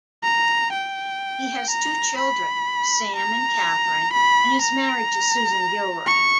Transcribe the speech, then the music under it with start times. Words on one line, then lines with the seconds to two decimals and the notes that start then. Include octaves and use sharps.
He has two children, Sam and Kathryn, and is married to Susan Gilroy.
0.23 A#5
0.73 G5
1.70 A#5
2.18 B5
3.15 A#5
4.13 B5
4.61 A#5
6.06 C#6